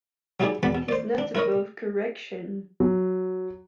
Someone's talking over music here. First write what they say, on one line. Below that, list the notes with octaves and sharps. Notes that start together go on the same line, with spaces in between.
He's not above correction.
F#3 D#4 E4 G4 G#4 D5
E2 B2 B4 D5 F#5 B5
B2
C5 D5
D4
E4 A#4 B4 C#5 D#5
F#3